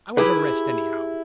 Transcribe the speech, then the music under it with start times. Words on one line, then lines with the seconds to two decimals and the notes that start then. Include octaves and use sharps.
"I want a rest anyhow...."
0.17 E4 G4 G#4 B4